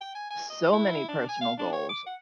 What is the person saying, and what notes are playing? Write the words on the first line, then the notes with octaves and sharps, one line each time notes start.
so many personal goals,
G5
G#5
G#5
D#5
E4
D4
G#5
F5
D4
C#5
D6
F#5